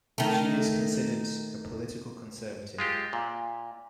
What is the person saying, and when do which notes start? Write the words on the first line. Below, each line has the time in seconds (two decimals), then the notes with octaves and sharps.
She is considered a political conservative.
0.18 D#3 A3
2.79 G#3 F4 G4
3.13 A#2